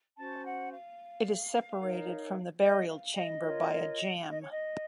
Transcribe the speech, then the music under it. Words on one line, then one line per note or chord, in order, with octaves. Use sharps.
It is separated from the burial chamber by a jamb.
C#4 F#4 C5 A5
F#5
F5
D#4 A#4 C#5
D#5
F5
D#5
F4 A#4 C#5
F5
D#5
C#5
D#5